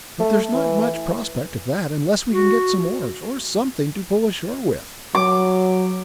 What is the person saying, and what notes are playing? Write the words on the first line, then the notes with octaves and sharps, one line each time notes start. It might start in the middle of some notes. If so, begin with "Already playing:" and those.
But there's not much prospect of that, unless we can get some oars, or something to pull ashore with.
A3
E3
F#4
F#3 D6